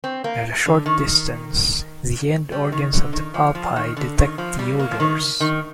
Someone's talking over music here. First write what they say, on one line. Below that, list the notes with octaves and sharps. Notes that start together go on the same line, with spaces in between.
At a short distance, the end organs of the palpi detect the odors.
C4
A#3
D3
D#3
G3
D#3
D3
D#3
F3
F3
D#3
D3
D#3
F3
G3
A#3
F3
D#3
D#3